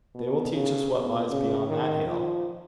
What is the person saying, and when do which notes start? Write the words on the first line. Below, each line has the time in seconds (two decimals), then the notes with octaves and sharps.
They will teach us what lies beyond that hill.
0.15 B2
0.53 C#3
0.92 B2
1.30 C#3
1.67 D#3
2.07 F3